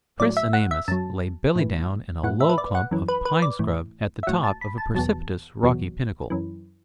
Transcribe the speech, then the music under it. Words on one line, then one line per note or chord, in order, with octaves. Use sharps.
Chris and Amos lay belly down in a low clump of pine scrub at the top of a precipitous rocky pinnacle.
A2 F#3 D5
E5
F#5
E5
F#2 F#3 A5
A2 E3
A2 E3 F#5
E5
B4
D5
F#5
F#2 E3
B4
B4
D5
A2 E3
E5
A2 F#3 F#5
A5
B5
A5
E2 B2 F#3 A5
E2 B2 F#3
F#2 E3